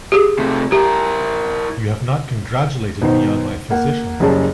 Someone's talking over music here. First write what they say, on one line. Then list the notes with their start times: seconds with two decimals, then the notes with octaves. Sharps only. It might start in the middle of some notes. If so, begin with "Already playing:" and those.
You have not congratulated me on my physician.
0.12 G4 G#4
0.39 C3 A3
0.72 E4 G4 A#4
3.01 B2 D#3 D#4 C5
3.70 A#3 F#5
4.20 F#1 C#3 G3 G#4 C#5 A5